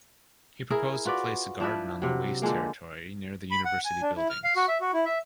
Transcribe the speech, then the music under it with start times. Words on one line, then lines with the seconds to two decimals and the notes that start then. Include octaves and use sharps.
He proposed to place the garden on the waste territory near the university buildings.
0.70 E4 G#4 A#4
1.05 F4 F#4 B4 D5
1.60 F3 D4 E4 B4
2.02 C3 F#3
2.42 D3 F3 G#3 A#3
3.51 B5
3.65 F#5
3.85 G#5
4.02 D4
4.17 E4
4.30 F6
4.44 F5
4.56 F#4
4.68 E5
4.81 F#4
4.93 E4
5.05 E5